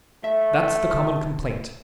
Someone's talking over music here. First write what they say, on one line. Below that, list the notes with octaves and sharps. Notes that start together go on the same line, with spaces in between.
That's the common complaint.
A3 E5